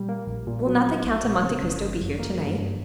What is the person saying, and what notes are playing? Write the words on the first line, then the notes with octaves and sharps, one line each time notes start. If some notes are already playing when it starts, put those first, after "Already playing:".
"Will not the Count of Monte Cristo be here to-night?"
Already playing: A#2 G3
A#3
A#1
A#2
F#3
A#3
A#1
A#2
C#3 C#5
G1
G1
F#2
A#3
G2
G2